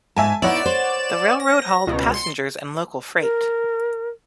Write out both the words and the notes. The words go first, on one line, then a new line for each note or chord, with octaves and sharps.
The railroad hauled passengers and local freight.
G#2 E5 G#5 A5
B3 D#4 E4 C#5 D5 F#5 E7
C5
A#6
C#2 B2
C6 C#7
A#4